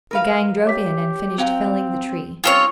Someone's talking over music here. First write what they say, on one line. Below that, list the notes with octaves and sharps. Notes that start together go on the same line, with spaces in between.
The gang drove in and finished felling the tree.
A#4 B4 F5
G4 C#5 D6 B6
F#3 C4 F5 G5 F7
G3 C4 C#4 F4 A4 C#5 G5 C#6